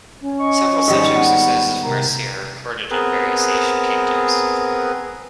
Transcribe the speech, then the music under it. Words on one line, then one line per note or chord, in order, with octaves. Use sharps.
Several such exercises of mercy are recorded in various Asian kingdoms.
C#4 C#5
D#5 C#6
G#2 D#3 G3
B3
C3 A#4 G5 A#5
B3 C4 G#4 A#4 B4